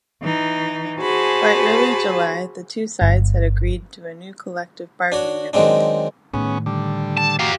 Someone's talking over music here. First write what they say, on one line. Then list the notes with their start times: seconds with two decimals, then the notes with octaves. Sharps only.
By early July, the two sides had agreed to a new collective bargaining agreement.
0.21 E3 D#4
0.99 F#4 G#4 C5 G#5 A5 B5
3.02 G1
5.12 D4 F#4 C#5
5.53 D#3 F#3 G#3 C4 D4
6.34 A2 D#3 B3 C#4 G#4
6.66 D3 G3
7.17 A5
7.39 F#4 G4 F5 G5 A#5